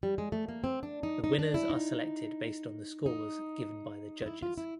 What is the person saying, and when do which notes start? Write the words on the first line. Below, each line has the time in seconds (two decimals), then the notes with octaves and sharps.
The winners are selected based on the scores given by the judges.
0.03 G3
0.18 G#3
0.32 A3
0.49 A#3
0.64 C4
0.83 D4
1.03 D#4
1.24 D#4
1.39 D4
1.54 E4
1.70 D#4
3.06 D#4
4.22 F4
4.26 E4
4.43 F4
4.58 E4